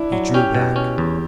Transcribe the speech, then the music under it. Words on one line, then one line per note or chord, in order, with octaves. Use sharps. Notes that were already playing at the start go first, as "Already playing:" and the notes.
He drew back.
Already playing: D4 E4
F#3
C#4 G4
B2
C#4
E2